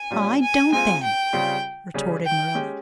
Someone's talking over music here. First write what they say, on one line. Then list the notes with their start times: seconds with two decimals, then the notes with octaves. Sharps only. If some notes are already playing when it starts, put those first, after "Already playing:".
"I don't then," retorted Marilla.
Already playing: G#5
0.11 A#2 G3 C#4
0.41 G#5
0.72 G#3 C4 F4 G#5
1.03 G5
1.33 C#3 G3 C4 F4 G#4
1.94 C#3 G3 C#4 G#4
2.25 G5
2.55 G#3 C#4 G4